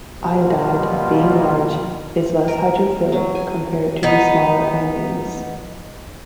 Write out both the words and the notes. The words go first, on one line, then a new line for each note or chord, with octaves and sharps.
Iodide, being large, is less hydrophilic compared to the smaller anions.
B2 F#3 G3 A#3 F4
A#4
F#3
G#5
B3 D#4